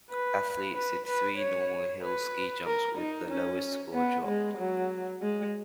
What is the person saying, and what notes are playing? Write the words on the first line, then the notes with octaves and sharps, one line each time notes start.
Athletes did three normal hill ski jumps, with the lowest score dropped.
B4
B4
B4
C#5
B4
A#4
D#4
C#4
B3
G#3
F#3
G#3